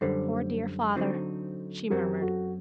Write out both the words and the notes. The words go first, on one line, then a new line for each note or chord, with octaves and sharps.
"Poor, dear father," she murmured.
F#2 D3 G3 A4 C5
D3 F#3 C4 D#4
F#2 F#3 C4 G4 A#4
F#4 A4